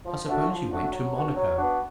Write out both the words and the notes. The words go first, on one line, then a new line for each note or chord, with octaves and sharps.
"I suppose you went to Monaco?"
F3
A3 D4 F#4
F3
A3 D4 F#4
F#3
B3 D4 F#4
F#3
B3 D4 F#4